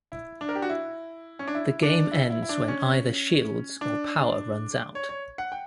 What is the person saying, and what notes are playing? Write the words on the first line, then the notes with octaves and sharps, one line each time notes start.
The game ends when either shields or power runs out.
E4
D4
A#4
G4
F#4
E4
C#4
D4
E4
D4
E4
E4
E4
D4
C#4
D4
C#5
C#5
F#5
G5